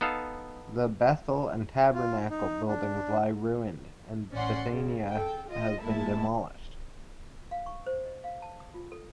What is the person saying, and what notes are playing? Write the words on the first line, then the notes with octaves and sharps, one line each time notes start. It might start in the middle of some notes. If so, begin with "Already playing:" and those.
The Bethel and Tabernacl buildings lie ruined and Bethania has been demolished.
B3 D#4 A4 F5
F4
D#4
D4
A1 C#4 D5 F#5 C6
C#3
A4 G5
F4 D#5
F2 G#3 A#3 E4 A5
F5
C#6
C5
D#5
F5
A5
D#6
F4
A4